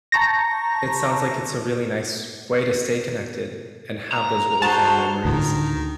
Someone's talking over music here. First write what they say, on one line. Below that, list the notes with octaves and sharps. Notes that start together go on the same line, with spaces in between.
it sounds like it's a really nice way to stay connected and have those really fond memories
A5 A#5 C#6 G6 A#6
A#5
F#4 G#4 C5 A5
D2 A2 D#3